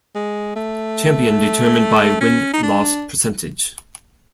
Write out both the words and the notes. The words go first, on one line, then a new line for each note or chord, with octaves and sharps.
Champion determined by win-loss percentage.
G#3
A3
C#4
D#4
D4